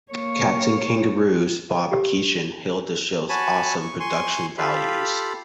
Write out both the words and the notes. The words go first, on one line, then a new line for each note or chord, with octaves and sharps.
"Captain Kangaroo"'s Bob Keeshan hailed the show's "awesome production values".
A#3 C#5
G4
F#4 C#5 G#5 A5 B5
C#6
G#5 C6 C#6
F4 G4 A4 F5 B5